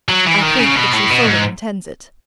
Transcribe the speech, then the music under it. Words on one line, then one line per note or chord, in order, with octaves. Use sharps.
"I think that she fully intends it."
F#3
E3
D#3
C#3
B2
A2
B2
G#2